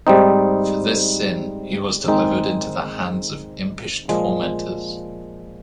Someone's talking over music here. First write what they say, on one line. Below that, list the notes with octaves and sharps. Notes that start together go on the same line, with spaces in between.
For this sin, he was delivered into the hands of impish tormentors.
G#2 G3 C4 D#4
G#2 D#3 G#3 C4 D#4
A#2 F3 G#3